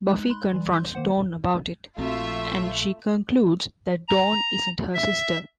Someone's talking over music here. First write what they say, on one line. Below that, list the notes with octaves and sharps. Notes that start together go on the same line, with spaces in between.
Buffy confronts Dawn about it, and she concludes that Dawn isn't her sister.
G#3 D#4 F#6
B5 C6 F#6
E3 G3
C6 G6
D#3 A#3 C5 F#5
A#1 F3 A3 C4 F4 F#4 E5
A#5
E5